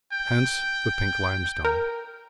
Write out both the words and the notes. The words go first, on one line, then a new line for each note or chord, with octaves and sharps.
Hence the pink limestone.
G5
A#4